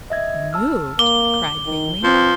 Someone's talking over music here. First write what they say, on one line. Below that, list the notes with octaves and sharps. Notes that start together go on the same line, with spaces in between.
"Removed!" cried Bingley.
D#5 E5 G#6
A5 E6 F6
A#3 D6 G7
D#3
F3 C4 B4